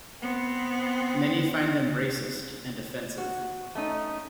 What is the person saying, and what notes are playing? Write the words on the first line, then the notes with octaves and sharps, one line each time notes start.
Many find them racist and offensive.
B3 C4
F#4
A3 C#4 D#4